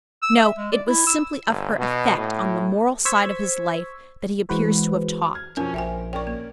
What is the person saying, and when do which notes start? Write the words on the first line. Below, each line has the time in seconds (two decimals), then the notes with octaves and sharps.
No, it was simply of her effect on the moral side of his life that he appears to have talked.
0.22 E6
0.36 E5
0.57 G#3
0.72 D5
0.87 E4
1.07 E6
1.47 G1
1.79 B2
2.18 A2
3.05 C5 C#6 E6 G#6 B6
4.49 E3 G#3 F#4 B4 C5
5.34 F6 G#6
5.57 F2 B2 F3 C#4 A#4 G#5
5.74 A#1 A#4 C5 E5 G5 G#5
6.13 C#4 A#4 D5 G5 C#6
6.27 A#3